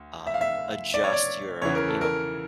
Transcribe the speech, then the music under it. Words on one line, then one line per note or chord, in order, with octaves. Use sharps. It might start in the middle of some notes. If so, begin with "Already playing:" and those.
um, adjust your, um, you know,
Already playing: D2
E5
F5
E5
D5
C#5
D5
E2 C#3 E3 C#5
A#4
A4
A#4